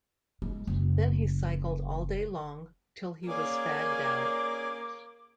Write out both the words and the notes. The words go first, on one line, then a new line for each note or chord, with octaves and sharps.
Then he cycled all day long, till he was fagged out.
G#3
F#1
A#3 C#4 G#4 D5 G#5 D6